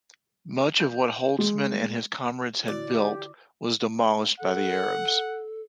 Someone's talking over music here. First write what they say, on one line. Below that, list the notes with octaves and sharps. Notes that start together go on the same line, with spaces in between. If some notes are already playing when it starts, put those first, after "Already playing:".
Much of what Holtzman and his comrades had built was demolished by the Arabs.
G6
G#3
D3 E4 F#4 D5
G4
A4 F#5